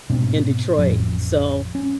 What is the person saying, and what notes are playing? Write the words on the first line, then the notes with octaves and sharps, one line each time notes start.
in Detroit, so,
G#2 B2 C4 D4
A1 F2 A2 F3
C#4